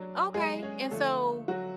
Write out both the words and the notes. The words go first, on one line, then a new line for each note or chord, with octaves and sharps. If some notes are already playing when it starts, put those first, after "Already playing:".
Okay, and so,
Already playing: F#3 D4
G#3 G#4
C#4 C#5
D3 F3 A3 A4
F#3 F#4